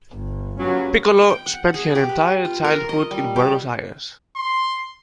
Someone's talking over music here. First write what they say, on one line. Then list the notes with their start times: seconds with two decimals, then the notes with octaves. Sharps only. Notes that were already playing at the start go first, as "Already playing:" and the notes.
Piccolo spent her entire childhood in Buenos Aires.
0.12 G1
0.59 G2 A#2 F#3 C#4
1.30 G5
1.46 F#5
1.74 G#4
1.95 G4
2.09 B4
2.45 F4
2.65 A#4
2.89 D#5
3.11 G3
3.36 G4
4.36 C6